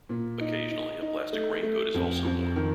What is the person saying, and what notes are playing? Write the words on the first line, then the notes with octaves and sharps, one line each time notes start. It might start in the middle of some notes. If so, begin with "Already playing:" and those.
Occasionally a plastic raincoat is also worn.
A#2
D#4
D#4
D#4
A3
A3
F2
F2
D#3